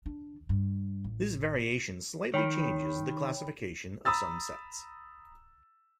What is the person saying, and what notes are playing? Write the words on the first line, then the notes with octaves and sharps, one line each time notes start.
This variation slightly changes the classification of some sets.
D4
G2
A1
D#3 C#5 G5 B5
A#5 B5 D#6 E6 A6